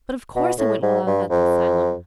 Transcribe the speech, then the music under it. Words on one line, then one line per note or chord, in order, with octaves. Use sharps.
But of course I went while I was at the asylum.
B2
A2
G#2
G2
F2